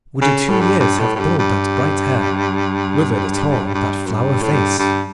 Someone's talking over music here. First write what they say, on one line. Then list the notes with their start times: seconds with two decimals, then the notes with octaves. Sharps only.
Would the two years have dulled that bright hair, withered at all that flower-face?
0.22 C#3
0.49 A2
0.61 G2
0.80 G2
1.00 A2
1.15 A2
1.20 G2
1.39 G2
3.74 G2
4.06 F#2
4.14 G2
4.42 A2
4.53 G2
4.79 G2